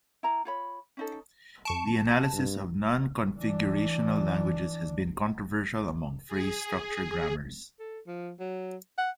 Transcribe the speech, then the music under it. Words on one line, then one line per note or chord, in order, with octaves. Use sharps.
The analysis of non-configurational languages has been controversial among phrase structure grammars.
E4 A#5
F4 C#5 B5
C#4 D#4 A4
F2 A5 C#6 D7
G2
E3 D4
G#4
A4
F3
F#3
F#5